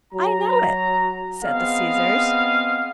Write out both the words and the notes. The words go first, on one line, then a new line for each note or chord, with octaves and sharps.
"I know it," said the scissors.
F#3 A#5
B3 C4 G#4 D#5 F5